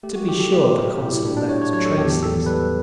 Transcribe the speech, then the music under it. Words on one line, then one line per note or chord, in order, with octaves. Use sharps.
To be sure, the concert left traces.
A3 G4
F#4
F#3 G4
A4
A3 G4
A2
A2 G4
E4
A2 D4
D4
A2 C#5
C#5
F#3 C#5
A4
E2 G4
E2 A4
G3 B4